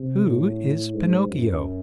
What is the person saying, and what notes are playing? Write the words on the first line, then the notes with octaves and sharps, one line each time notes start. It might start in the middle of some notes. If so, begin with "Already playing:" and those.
"Who is Pinocchio?"
Already playing: C3
A2
G#2
F#2